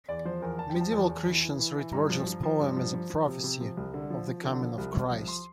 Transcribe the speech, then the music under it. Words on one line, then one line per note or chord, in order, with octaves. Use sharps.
Medieval Christians read Virgil's poem as a prophecy of the coming of Christ.
E2 D5
F3 C5
E2 A#4
E2 A5
G5
F3
A5
E2
E2
E3
E3
E3
E3
G2 A#5
F3
F3
F3
G2
F3
F3
F3
C3
C3
F3
C2
D3
F3
F3
D3
F3
C2
C2
F3
C6